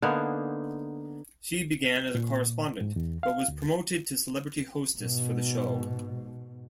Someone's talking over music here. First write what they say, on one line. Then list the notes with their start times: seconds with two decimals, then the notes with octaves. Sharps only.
She began as a correspondent, but was promoted to celebrity hostess for the show.
0.02 D3 A#3 B3 D#4
2.15 A#2
2.81 G#2
2.96 E2
3.23 F5
3.48 D2
4.97 G#2 B2